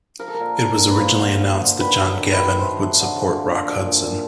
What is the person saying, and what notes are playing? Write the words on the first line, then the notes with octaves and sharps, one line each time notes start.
It was originally announced that John Gavin would support Rock Hudson.
F3 A#4
A4
A#4
A#2
A#2
A#2
B4
A#3 C5
D3
F3
D3
D#3 B4
F#3
A#4
D#3
B4
D#3
A3 C5
A3
D3
F3
A#2
A#2
A#2
A#2